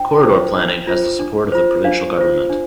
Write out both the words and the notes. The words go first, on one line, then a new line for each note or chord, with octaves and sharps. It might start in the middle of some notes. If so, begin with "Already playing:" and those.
Corridor planning has the support of the provincial government.
Already playing: D4 F4 C5 G5
F4 C5
D4
F4 C5
D4
F4 C5
D4 F5
F4 C5
D4